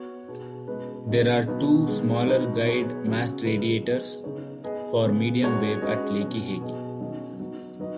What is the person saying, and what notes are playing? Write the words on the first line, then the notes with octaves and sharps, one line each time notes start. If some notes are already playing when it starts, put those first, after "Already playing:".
There are two smaller guyed mast radiators for mediumwave at Lakihegy.
Already playing: B3 F#4 C#5
B2 B3 G#4
B2 G#3 C#4 B4 D#5
C#3 F#3 D#4 F#4 D#5
B2 F#3 B3 D#4 B4
D#3 G#3 B3
B2 F#3 D#4 B4
B3 G#4 C#5
C#3 F#3 C#4 F#4
C#3 G#3 D#4 B4
F#3 B3 G#4 B4 D#5
C#3 B3 D#4 G#4 C#5
B3 G#4 B4 D#5
C#3 B3 G#4
G#3 C#4 F#4 C#5
G#3 C#4 F#4 B4 D#5
B2 F#3 C#4
B2 B3 G#4 D#5
D#3 F#3 C#4 F#4 D#5
F#3 B3 D#4
F#3 D#4 B4 D#5